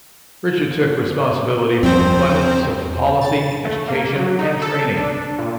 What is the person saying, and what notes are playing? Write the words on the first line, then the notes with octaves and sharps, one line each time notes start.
Richard took responsibility for Employment, Social Policy, Education and Training.
E2 F3 C4 C#4 C5
A6
A3
A#3
F#3
D#4
A4
D4
A#2